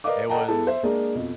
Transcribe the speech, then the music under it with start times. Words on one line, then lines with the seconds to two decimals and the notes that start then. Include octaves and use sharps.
It was
0.04 A#4 B4 D5 D#5 F5 D6
0.29 A4 D#5 F#5 G5 A5 A#5
0.48 B3 E4 G#4 A4 A5
0.67 C5 E5
0.83 G#3 A#3 D4 G#4 A#4
1.15 F2 B2